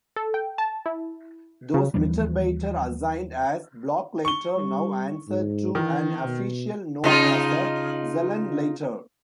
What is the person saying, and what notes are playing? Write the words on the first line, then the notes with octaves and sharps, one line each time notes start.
Those "Mitarbeiter" assigned as "Blockleiter" now answered to an official known as a "Zellenleiter".
A4
G5
A5
E4
C#3
D#2 E3 F3 G3
C#6 G7
G3
G#2
D#3 E3
B2
C#3 D#4 F4